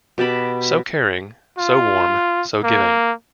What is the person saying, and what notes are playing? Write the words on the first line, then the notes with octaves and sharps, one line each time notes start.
So caring, so warm, so giving.
B2 G4 A5 B5
F4
A#3